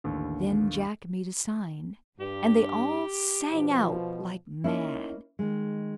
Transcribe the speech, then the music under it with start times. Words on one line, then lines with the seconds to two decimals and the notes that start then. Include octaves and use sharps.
Then Jack made a sign, and they all sang out like mad.
0.04 A1 D#2 D3
2.20 G2 G4
3.51 B2 F3
4.64 A#3 C#4 D#4 E4
5.39 D#3 G#3